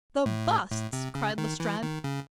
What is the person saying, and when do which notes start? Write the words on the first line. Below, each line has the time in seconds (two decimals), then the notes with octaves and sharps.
"The busts," cried Lestrade.
0.26 A2
0.71 A2
0.93 C3
1.15 C#3
1.38 D#3
1.60 E3
1.83 D#3
2.04 C#3